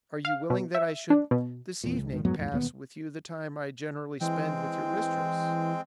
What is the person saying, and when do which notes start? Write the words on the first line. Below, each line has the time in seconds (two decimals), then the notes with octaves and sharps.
"Are you willing that I should this evening pass with you the time I generally spend with your mistress?"
0.25 F5
0.50 B2
0.75 E5
1.10 D4
1.31 B2
1.84 E2 A#2
1.97 C#2
2.12 G1 E2 G#2 D#3
2.25 F2 G#2 F#3 B3
2.38 B1 F2 A2
2.52 E1 D#2 F3 B3
4.21 E3 G#3 C4 G5